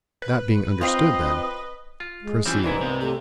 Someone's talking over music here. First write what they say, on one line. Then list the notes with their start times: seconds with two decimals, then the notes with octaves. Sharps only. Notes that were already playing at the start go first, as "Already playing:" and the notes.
"That being understood then, proceed."
0.22 B4
0.81 C4 F4 D#5
2.00 F4
2.22 G#3
2.46 E3 G3 C4 C#4 F4 G5
2.64 C2 G#2 D#4 E4 B4
2.81 C3 B3
3.01 A3 G4